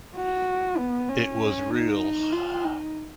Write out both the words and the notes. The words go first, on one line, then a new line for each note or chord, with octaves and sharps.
It was real!
F#4
B3
C#4
D#4
F4
D#4